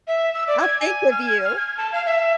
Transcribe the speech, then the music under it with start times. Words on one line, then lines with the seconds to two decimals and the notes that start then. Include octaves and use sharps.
I'll think of you.
0.07 E5
0.35 E6
0.48 D5
0.60 G#6
0.80 G#5
1.11 F6
1.27 G#6
1.44 F6
1.57 G#6
1.77 A5
1.92 F5
2.06 E5